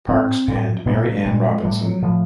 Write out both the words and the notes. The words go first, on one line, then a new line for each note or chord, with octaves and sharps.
Parks and Mary Ann Robinson.
A2 C4
A2
A#2 B3
A#3
A3
G#3
A#2 G#3
G#3
A2 G3
F#3
A2 F3